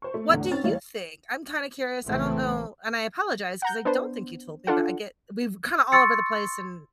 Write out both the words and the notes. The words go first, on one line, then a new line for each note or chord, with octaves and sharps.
what do you think? I'm kinda curious, I don't know, and I apologize 'cause I don't think you told me, but I get we've kinda all over the place. And,
C5 C#6
A3
E2 A2 D3
C4 C#4 A6
D#2 E3 G3 E4 C#5 F5
A#1 C#3 E3 A3 C4
F#5 A#5 G6
B3 D4 C5
D4 F4 A4 F#5
C6 C#6 E6 A6 C#7